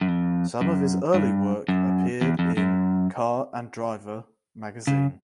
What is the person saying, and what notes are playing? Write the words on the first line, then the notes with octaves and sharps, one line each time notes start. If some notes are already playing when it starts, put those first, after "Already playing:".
Some of his early work appeared in "Car and Driver" magazine.
F#2
F2
F#2
G2
F#2
E2
F2
F#2
C#3